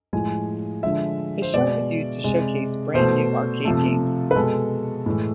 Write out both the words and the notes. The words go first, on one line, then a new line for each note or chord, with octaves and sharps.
The show was used to showcase brand new arcade games.
A2 F3 G#3 G#5
D3 F3 G#3 E5
C5
B2 G#3 D5
C3 G#3
B2 A3 C5
C3 F3 A3 A4
B4
B2 G#3 A4
A2 E3 G#3